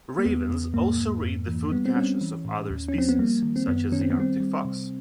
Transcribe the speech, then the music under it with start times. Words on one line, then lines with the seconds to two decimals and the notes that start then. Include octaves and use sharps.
Ravens also raid the food caches of other species, such as the Arctic fox.
0.19 A#3
0.25 E2 B3
0.50 E2
0.74 G#2 A#3
0.98 G#2
1.24 F2
1.47 E3
1.71 G3 B3
1.86 C4
1.96 G3 C#4
2.21 E3
2.45 A2
2.70 D#2
2.88 C#4
2.95 F3 C4
3.09 B3
3.19 G3 A#3
3.42 D#3
3.56 C4
3.68 F#2 B3
3.92 D#3 C#4
4.01 C4
4.10 B3
4.17 G3 C4
4.40 G3
4.65 C3